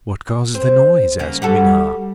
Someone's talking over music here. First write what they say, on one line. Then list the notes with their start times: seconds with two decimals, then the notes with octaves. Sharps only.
"What causes the noise?" asked Minha.
0.54 C4
1.19 C#3 A#3
1.42 G3 F#4 A4